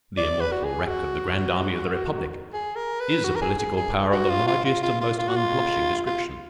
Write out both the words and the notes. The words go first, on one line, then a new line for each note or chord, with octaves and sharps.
The immortal wreck of the Grand Army of the Republic is a political power of the largest and most unblushing description.
D5
B4
F#4
G#4
F#4
G#4
A#4
B4
F#4
A#4
G#4
G#4
G#4
F#4
F4
F4
F4
F4
F4
F4
F#4
F4
F4